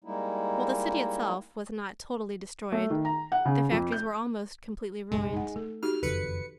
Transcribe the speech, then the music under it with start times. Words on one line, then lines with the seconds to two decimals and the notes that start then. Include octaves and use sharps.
While the city itself was not totally destroyed, the factories were almost completely ruined.
0.04 G3 G#3 A#3 D#4 E4
2.72 A3
2.90 D#3
3.05 A#5
3.32 F#5
3.45 C#3
3.72 F2
3.92 G6
5.12 F#1 B1 G2 G#3
5.33 D#4 F#5
5.56 A3 A4
5.83 D#4 F#4 G4 F6
6.03 F#1 F2 D#3 A4 B4 C#7